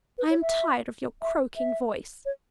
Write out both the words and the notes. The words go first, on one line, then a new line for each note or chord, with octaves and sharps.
I am tired of your croaking voice.
B4
C#5
E5
E5
E5
C#5